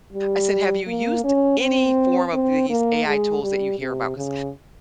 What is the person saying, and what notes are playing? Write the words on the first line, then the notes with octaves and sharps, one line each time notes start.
I said, "Have you used any form of th these AI tools that you hear about?, 'cause
G3
A#3
C#4
C4
C4
A#3
G#3
G3
C3
C#3